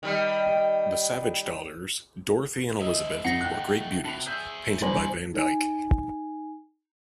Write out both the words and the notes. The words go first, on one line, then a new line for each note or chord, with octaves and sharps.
The Savage daughters, Dorothy and Elizabeth, were great beauties, painted by Van Dyck.
D#3 G3
G#2 D#5 E5
F2 A3 D#4 F#5 A#6 C7
G5 F#6
C3 F#4 A5 B5 F7
G#4 E5 E6 G6 B6
E3 G3 D4 D#4 C5 G#5 B5 A#6
D#4 G#5